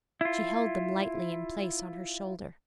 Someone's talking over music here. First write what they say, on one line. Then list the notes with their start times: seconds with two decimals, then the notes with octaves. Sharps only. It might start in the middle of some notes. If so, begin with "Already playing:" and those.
She held them lightly in place on her shoulder.
0.21 E4 F4